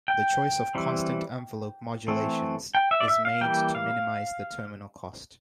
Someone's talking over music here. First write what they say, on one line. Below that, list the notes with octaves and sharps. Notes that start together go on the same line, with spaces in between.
The choice of constant envelope modulations is made to minimize the terminal cost.
G5
E3 G3 C4
E3 A3 C4
G5
E5
D5
E5
F5
E3 G3 A#3 G5
F5